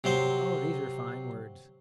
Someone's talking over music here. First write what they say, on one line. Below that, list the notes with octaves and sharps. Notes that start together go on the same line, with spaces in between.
"Oh, these are fine words."
C3 F#3 C5